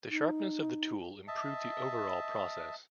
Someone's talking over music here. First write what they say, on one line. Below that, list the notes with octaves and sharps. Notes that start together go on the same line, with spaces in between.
The sharpness of the tool improved the overall process.
D#4
D#5 E5 A5